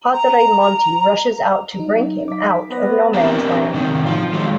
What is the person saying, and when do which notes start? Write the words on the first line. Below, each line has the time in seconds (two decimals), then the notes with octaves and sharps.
Padre Monty rushes out to bring him out of No Man's Land.
0.13 A#5
1.76 F#3 D#4
2.28 D6 B6
2.70 B3 B4 C5 A#6
3.14 C4 D4 G4 A#4
3.74 A2 C3 D#3
4.06 F3 F4
4.33 D#3 F#3 G#3